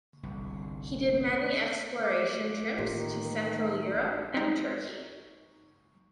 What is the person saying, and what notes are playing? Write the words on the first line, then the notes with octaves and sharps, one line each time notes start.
He did many exploration trips to Central Europe and Turkey.
G1 C2
D#5 D6 F#6
A1 A2 D#3 A#3 F4 G4 A#4
C4 D#4